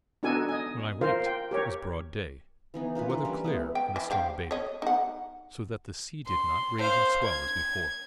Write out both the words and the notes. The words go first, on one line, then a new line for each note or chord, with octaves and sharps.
When I waked it was broad day, the weather clear, and the storm abated, so that the sea did not rage and swell as before.
B3 D4 D#4 F#4 A4 G#5
D#5 G#5
F4 A#4 C5 F5
G5
G4 A#4 C#5
E3 B3 D#4
A#3 C#4 F4 B4
E3 A3 D4 C6
G3 C#4 A#4 B4
G#3 A3 B3
G5
E3
C5 F5 G5
C#5 D#5
D#4 F#5
C6
C5 F5
G#6